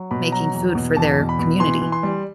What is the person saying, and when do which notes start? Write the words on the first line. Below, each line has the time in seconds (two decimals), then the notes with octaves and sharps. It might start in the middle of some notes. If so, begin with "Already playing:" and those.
making food for their community.
Already playing: F#3
0.11 B2 B5
0.32 F#3 A#5
0.54 E2
0.75 B2
0.97 E2 A5
1.18 B2
1.29 B5
1.39 B2
1.60 E3 C6
1.81 E3
1.92 C6
2.03 G3